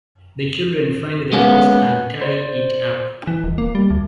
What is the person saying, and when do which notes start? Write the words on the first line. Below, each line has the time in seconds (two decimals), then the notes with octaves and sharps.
The children find the horse and tie it up.
1.33 G#3 A#3 B3 C#4
2.21 C5 D5
3.27 E3
3.44 D#1
3.58 A#3
3.75 G3
3.90 D2